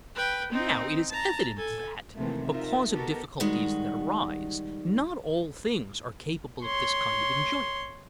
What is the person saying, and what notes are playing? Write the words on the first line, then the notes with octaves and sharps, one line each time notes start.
Now it is evident that, because of difficulties that arise, not all things are capable of this kind of enjoyment.
B4 G5
C4 D#4
A5 A#5
A4 G#5
C3 D#3 E3 A3 A#3
D#4 F4 A#4 E5
B3 D#4 F#4 G4 A4 A#4
D#3 G3 G#3 F#4
C#5 C6